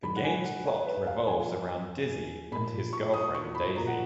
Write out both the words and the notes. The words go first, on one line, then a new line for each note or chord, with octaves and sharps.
The game's plot revolves around Dizzy and his girlfriend Daisy.
G#2 D#3 F#3 B5
F#5
G#5
F#5
C#5
B4
F5
F2 F3 G#5
A#2 F3 B5
C#6
D#6
C#6
B5
A#2 F3 A#5
F#5